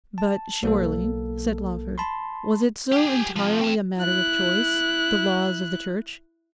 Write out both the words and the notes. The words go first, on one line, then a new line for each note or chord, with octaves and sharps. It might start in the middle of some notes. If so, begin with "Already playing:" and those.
'But, surely,' said Lawford, 'was it so entirely a matter of choice--the laws of the Church?
A5
B1 A#3 A4
A5 B5 C6
G4 G#4
C3 F3
C4 A5
E4 F#6